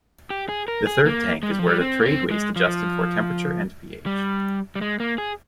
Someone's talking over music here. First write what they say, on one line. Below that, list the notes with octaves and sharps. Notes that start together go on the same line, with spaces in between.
The third tank is where the trade waste adjusted for temperature and pH.
G4
G#4
A#4
G#4
A#3
G#3
G3
F3
G3
C4
A#3
C4
G#3
F3
G3
G3
G#3
A#3
G#4